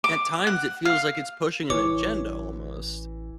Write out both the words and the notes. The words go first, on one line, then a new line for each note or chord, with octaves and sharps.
at times, it feels like it's pushing an agenda almost.
D6
F#5
F5
A1 E3 C#5 D6